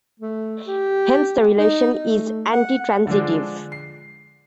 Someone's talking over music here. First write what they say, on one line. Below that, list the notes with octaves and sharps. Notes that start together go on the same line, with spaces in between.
Hence the relation is antitransitive.
A3
G4
D#4
A3
F#5
D3 F3 G#3 D4
C7